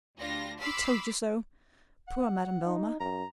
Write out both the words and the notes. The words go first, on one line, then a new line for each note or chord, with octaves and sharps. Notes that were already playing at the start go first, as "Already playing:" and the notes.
I told you so. Poor Madame Velma!
D2 G3 D4 F4 A#6
B5 C6 D6 E6 F6 B6
F#5
D#4
F#2 A#5